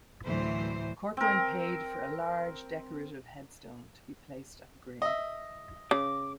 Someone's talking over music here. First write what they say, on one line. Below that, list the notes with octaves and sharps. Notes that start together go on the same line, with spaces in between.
Corcoran paid for a large, decorative headstone to be placed at the grave.
D2 A2 E3 F#3 C5
C4 A#4
D#5 E5
C#3 D6